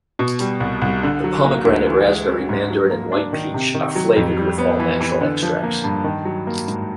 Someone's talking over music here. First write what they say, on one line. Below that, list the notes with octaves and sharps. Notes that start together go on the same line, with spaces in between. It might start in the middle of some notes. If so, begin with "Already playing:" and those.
The Pomegranate Raspberry, Mandarin, and White Peach are flavored with all natural extracts.
B2
G3
C2
C2
D3
F#3
A#3
D2
E3
G#3
C#4
G#2
F#3
A#3
D4
D#3
C3
D#3
F#3
F2
G3
B3
E3
E3
D3
F3
A#3
G2
D#3
F#3
A#3
G#2